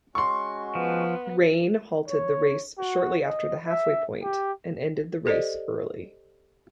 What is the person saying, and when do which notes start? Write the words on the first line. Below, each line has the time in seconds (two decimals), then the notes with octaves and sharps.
Rain halted the race shortly after the halfway point, and ended the race early.
0.15 G#3 C#4 F#4 C6 C#6
0.75 F3 B3
2.08 C#5
2.78 F#4
3.25 D#5
3.67 E5
4.23 G4
5.26 G4 A4 C5 D5 D#5